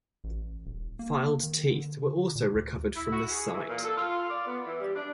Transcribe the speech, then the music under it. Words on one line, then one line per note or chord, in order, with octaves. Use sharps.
Filed teeth were also recovered from this site.
A1
D#1
A#3
D#3
D3
A#2
D2
E4
F#4
G#4
E3
A#2
A4
F4
D5
B3
E3
G3
D4